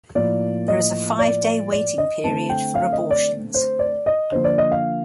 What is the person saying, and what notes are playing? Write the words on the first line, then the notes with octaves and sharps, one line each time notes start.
There is a five-day waiting period for abortions.
A2 F3 A#3 D5
D#5
D5
D5
D#5
D3 A3 C4 A5
G5
F5
D#5
D5
C5
D5
D#5
D3 F3 A#3 C5
D5
D#5
F5